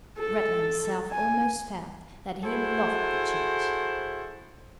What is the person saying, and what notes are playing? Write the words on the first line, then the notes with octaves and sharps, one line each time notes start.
Ratler himself almost felt that he loved the Church.
A4
G#5
E4 F#4 G#4 A4 C5